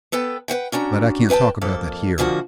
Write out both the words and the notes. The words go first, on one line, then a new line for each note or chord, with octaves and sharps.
But I can't talk about that here.
B3 A4 B4 G5
B4 C5 F#5 G5
C#4 D4 F#4 A#5
D#2 B4 F#5 G5 A5
F2 A#3 A4
G#2 D3 F3 A#3 F#4